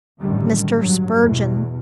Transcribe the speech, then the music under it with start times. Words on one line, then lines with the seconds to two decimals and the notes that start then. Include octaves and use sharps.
Mr. Spurgeon.
0.20 A1 F#2 A2 D3 D#3 G3
0.78 G2 F#3
1.21 E2 B2